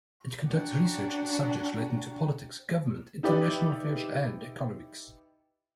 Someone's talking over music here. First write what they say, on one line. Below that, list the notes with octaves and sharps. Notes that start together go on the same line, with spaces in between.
It conducts research in subjects relating to politics, government, international affairs, and economics.
C#4 D4 F#4 F#5 G5 A#5
D#4 E4 G4 B4 D5